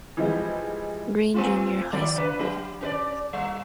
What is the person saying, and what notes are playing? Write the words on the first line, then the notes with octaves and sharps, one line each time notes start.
Green Junior High School.
E3 F3 G3 G#3
A3 C4 F4
D#2 F#3 D5
C#3 B4
F#3 G4
C#4 B4 D5
G3